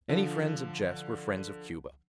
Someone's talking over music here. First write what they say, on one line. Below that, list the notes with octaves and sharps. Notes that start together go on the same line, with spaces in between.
Any friends of Jeff's were friends of Cuba.
D3 F3